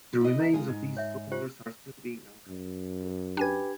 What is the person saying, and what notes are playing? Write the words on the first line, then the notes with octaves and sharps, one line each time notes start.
The remains of these soldiers are still being uncovered today.
E4 D#5
A#5
G#3 F4 G#4
G#2 D#4
C#5 E5
F4 G4 C5
F#2
D4 G4 B4 G#5 G#6